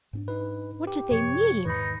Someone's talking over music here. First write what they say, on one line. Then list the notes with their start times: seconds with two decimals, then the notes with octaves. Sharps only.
What did they mean?
0.13 G#2 C4 D4
0.28 D#4 B4
0.87 G4
1.11 F#2 C3 F3 C#5
1.65 E2 G#2 D#3 D#4 B4 B5